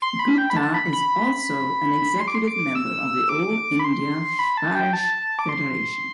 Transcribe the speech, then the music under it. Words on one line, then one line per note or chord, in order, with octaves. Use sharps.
Gupta is also an executive member of the All India Vaish Federation.
C6
B5
G5
B5
A5
B5
B5
C6
D6
C6
D6
E6
D6
B5
C6
B5
A5
G5
A5
D6
C6